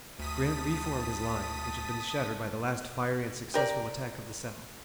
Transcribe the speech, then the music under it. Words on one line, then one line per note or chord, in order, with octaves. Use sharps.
Grant reformed his line, which had been shattered by the last fiery and successful attack of the South.
D2 A5 D#6 B6 D#7
G4 A#4 D5